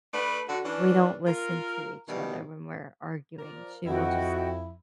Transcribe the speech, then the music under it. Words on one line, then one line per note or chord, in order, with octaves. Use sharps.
we don't listen to each other when we're arguing, she will just
A3 D4 B4
D3 F#4
E3 C#4 D4
F4 A#4
B2 D#3 E3 G3
F3 A#4 D5
F2 E4 F#4 D#5 G5